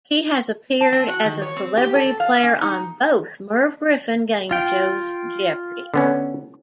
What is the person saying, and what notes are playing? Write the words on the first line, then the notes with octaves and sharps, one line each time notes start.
He has appeared as a celebrity player on both Merv Griffin game shows Jeopardy!
A5
C4
F#4
D#3
C#5
C4
G4
A4
F5
C#4
D#4
F4 G5
D3 B3 C#4